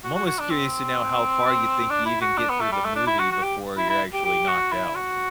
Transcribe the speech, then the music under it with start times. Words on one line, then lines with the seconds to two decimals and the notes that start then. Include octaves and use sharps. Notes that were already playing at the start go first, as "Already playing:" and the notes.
I'm almost curious to know how far you think you even get through the movie before you're actually knocked out.
0.04 F#4
0.15 F#4
0.27 F#4
0.39 D4
0.50 C4
1.90 D4
2.06 E4
2.21 F#4
2.38 D4
2.50 B3
2.60 A3
2.72 G3
2.85 A3
2.96 D4
3.07 E4
3.19 F#4
3.32 F#4
3.43 G4
3.78 E4
3.90 E4
4.14 G4
4.25 G4
4.48 F#4
4.72 E4
4.95 F#4